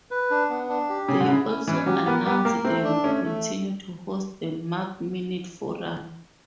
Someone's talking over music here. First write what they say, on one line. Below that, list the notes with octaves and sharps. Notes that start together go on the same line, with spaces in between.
They also announced they would continue to host the MacMinute Forum.
B4
D4
B3
D4
G4
C#3 C#4
D3
C#3 E4
C#4
E3 C#4
F#3 G4
B3 A#4
B3 G4
A#3 A#4
A3 C4
D4
A3 C#4
A3